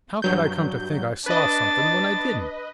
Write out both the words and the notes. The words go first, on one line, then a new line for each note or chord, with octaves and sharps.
How could I come to think I saw something when I didn't?'
G2 F#3 G6
D4 B4 D#5 A6